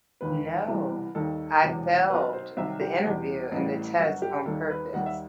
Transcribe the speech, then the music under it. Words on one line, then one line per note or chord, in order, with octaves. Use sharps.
No, I failed the interview and the test on purpose.
E1 D#2 D#3 B4
C2 C3 E3 G3
D#2 D#3 G3 A4
E1 E2 C3 F#3
B1 B2 F#3 B4
C5
C2 C3 D#3 F#3 E5
G4
E2 B2 G3
A1 A2 G3
G1 F#2 F#3 F#4
G4
D#2 D#3 G3 A4
B4
D#2 D#3 G3 F#5
E5